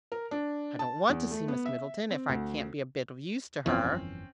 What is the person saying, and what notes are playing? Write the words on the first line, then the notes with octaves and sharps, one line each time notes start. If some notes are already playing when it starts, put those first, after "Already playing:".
"I don't want to see Miss Middleton, if I can't be a bit of use to her."
A#4
D4
A5
E2
A3
B3
E5
C4
D2
G1 F2 E3 C4 C#4